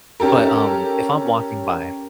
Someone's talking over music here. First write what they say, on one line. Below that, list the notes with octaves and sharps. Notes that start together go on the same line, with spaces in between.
but, um, if I'm walking by,
C#4 G4 A4 A#4